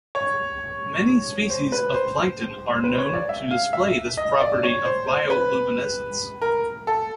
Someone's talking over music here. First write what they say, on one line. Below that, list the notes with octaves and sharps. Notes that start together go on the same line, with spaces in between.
Many species of plankton are known to display this property of bioluminescence.
C#5
C5
B4
C5
B4
C5
C#5
D5
E5
F5
E5
D#5
D5
C#5
C5
C5
B4
A#4
A4